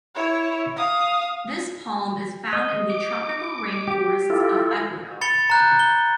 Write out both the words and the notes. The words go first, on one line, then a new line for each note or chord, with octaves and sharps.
This palm is found in the tropical rainforests of Ecuador.
E4 C#5
F5 D#6
D#5
D6
G4
E4 F4 A4
B5 A6 C#7 G7
A#5 F#6 G6
G7